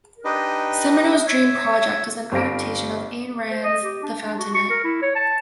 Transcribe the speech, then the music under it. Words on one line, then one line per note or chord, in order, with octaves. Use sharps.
Cimino's dream project was an adaptation of Ayn Rand's "The Fountainhead".
D4 D#4 G4 B4 D#5
C#5 E5
G1 C4 G4 F5 A#6 D7
C5
D#5
G4
D4
D4
F#4
C#6
A#4
E4
C#5
A5